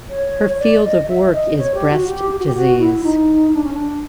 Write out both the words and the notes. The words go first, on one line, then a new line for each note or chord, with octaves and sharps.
Her field of work is breast disease.
C#5
C#5
D5
D#5
D#5
E5
E5
D#5
C#5
G4
F#4
G4
G4
F#4
G4
F#4
E4
D#4
D4
C#4
D4